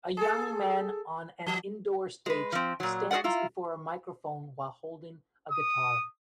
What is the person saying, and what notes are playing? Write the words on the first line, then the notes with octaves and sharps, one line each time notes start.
A young man on an indoor stage stands before a microphone while holding a guitar.
G#4 A4
F3
G#3 B4
F3 C4
A#2 F#3
F#4 G#4 B4 D5 F#5
E4 F4 A#5
D#6